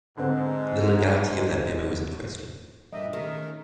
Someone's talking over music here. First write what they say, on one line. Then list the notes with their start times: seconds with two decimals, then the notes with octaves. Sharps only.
The legality of that memo is in question.
0.17 G#2 D3 C4
2.93 G2 A#2 A#3 D4 G4 D#5 E5
3.13 D#3 A3 C#4 G#4 A#4 B6